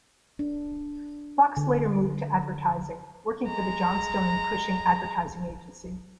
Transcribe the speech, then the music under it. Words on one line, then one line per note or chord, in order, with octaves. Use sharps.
Fox later moved to advertising, working for the Johnstone and Cushing advertising agency.
D4
D3
G#3 A#5